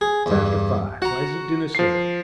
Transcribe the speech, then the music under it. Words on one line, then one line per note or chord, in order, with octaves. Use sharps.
'It's after five; why isn't dinner served?'
G#4
E2 G2
F#4 F#5 A#5
F3 C7